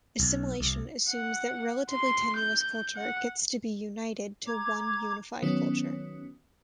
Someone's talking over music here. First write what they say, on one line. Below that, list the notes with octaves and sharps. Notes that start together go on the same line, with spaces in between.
Assimilation assumes that relatively tenuous culture gets to be united to one unified culture.
B1
C2
F#5
C6
G6
F#5
A#5 D6 G#6
D#3 F#3 B3 C#4